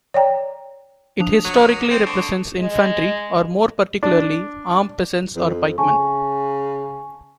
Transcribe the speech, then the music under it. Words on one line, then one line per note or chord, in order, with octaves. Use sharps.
It historically represents infantry, or more particularly, armed peasants or pikemen.
C#5 D5 G5 A#5
F3 D4 D#6 F7
F#3 C#7 D#7
D6 A#6
C4 C7 D7 E7
D3 C#6 D7
G#3
D4
F2
C#3 G#5 A5 C#6